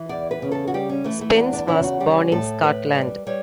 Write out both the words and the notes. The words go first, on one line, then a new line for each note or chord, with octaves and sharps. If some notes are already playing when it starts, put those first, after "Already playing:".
Spence was born in Scotland.
Already playing: E3
E2 D5
B4
C#3
A4
F#4
G3 G4
C#4
E3 A3
A3
C#4
E2 B3
D4
C#3 E4
F#4
G3 G4
A2 A4
A2 B4
G3
G3 C#5